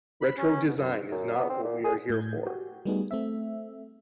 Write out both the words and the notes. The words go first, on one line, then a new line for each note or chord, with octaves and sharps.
Retro design is not what we are here for.
B5
C#4
B2
F#2
F#2
B3
C4
A#2
G#4
A2 G6 G#6
F#4 G4
G3 A3 B3 D#4 F#4 G#4
A3 C4 E5